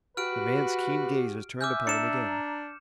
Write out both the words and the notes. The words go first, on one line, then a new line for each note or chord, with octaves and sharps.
The man's keen gaze was turned upon him again.
F#4 G4 B4 F6 D7
E5 G#5 D6 F6 G6
D4 A#5 C#7 E7